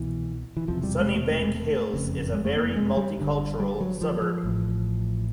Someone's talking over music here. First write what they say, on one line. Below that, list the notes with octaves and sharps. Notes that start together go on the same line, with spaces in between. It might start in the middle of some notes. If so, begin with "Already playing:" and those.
Sunnybank Hills is a very multicultural suburb.
Already playing: C2 B2 E3
E3
E1 E2 C3 F3
G3
G#3
A3
A3
G#3
A3
F#1 F2 C#3
G#3
A3
A#3
G#3
G3
G1 G2 D3
G3
F#3
F3
F3
A1 A2